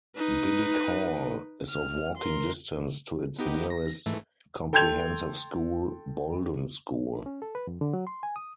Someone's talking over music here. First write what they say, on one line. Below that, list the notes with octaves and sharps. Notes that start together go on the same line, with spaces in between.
Biddick Hall is of walking distance to its nearest 'Comprehensive School', Boldon School.
D#4 B4
F6
A#4 C6
B3 D#4 G4
A#6
G#2 E3 A3
A4 G5 C6 G6 G#6 F7
C#4
A4
B4
F2
D3
F#3
C6
G#5
D#6